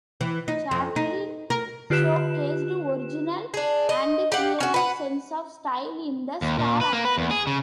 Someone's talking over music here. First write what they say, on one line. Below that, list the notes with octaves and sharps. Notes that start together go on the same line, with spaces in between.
Chatelain showcased original and creative sense of style in the Star Academy.
E3
D#4
F2
D#4
A#4
D3 F4 G4 B4 F#6 E7
D4 G#4
D#5
G4 F5 F#5
C#4 F#4
B4 F#5
D#2
A#2
B4
A#3
B4
E2
G#4
C#3